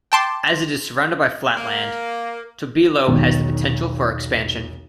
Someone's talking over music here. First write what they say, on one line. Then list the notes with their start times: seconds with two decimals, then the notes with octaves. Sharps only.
As it is surrounded by flat land, Tobelo has the potential for expansion.
0.12 G5 A5 C6 D6
1.56 A#3
3.07 E1 B1 D#3